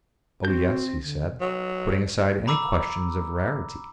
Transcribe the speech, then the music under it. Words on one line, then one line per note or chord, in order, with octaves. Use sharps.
"Oh yes," he said, putting aside any question of rarity....
C4 F#4 G6
D3
F#3
A#5 B5 D6 E6